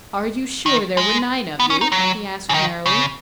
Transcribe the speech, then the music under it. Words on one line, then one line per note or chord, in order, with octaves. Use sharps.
"Are you sure there were nine of you?" he asked, merrily.
D#3
G#3
B3
C#4
D#4
F#3
C#3
D#3
C#3